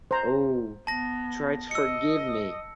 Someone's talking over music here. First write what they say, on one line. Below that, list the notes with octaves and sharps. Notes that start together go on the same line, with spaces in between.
Oh, try to forgive me!
C5 A#5
B3 A5 A#6
D#5 E6 C#7